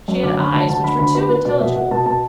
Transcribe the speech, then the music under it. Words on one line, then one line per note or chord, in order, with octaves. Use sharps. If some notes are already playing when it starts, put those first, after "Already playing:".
She had eyes which were too intelligible.
F#2
D2 D6
D3 B5
D2 A5
D2 A5
D3 B5
D2 B5
B3 B5
B3 B4
B2 D5
B2 E5
B2 F#5
B2 A5
B2 A5